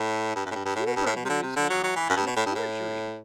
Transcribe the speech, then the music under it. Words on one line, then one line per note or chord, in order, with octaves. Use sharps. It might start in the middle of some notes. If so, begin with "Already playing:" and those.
'Two burglaries now, and a forgery!'
Already playing: A2
G2
F#2
A2
G2
G2
A2
B2
G2
A2
B2
C3
D3
C3
D3
F#3
F#3
E3
F#2
G2
B2
A2
G2
A2